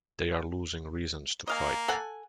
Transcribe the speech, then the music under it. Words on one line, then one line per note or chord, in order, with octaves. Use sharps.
They are losing reasons to fight.
A#3 D#5 F5 G#5 A#5
A4 F#5 G#5